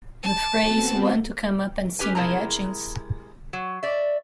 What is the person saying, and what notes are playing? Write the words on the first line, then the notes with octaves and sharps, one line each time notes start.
The phrase Want to come up and see my etchings?
A5 D6
B3 C4 F#4
C#4 G4 B4 G#5
C3 G#3 E4 A#4 A5 A#5
F#3
D5 E5